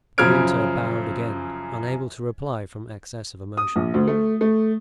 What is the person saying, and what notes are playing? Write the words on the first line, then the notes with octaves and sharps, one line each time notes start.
De Winter bowed again, unable to reply from excess of emotion.
F#2 C#3 F3 F6 G#6 D7
D#6
A#1
D2
A3
A3